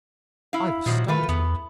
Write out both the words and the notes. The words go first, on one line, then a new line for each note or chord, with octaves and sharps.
I was startled.
E4 F5
A#2 D#3 F3 F#3
D#3 A3 F4 B4
E2 B3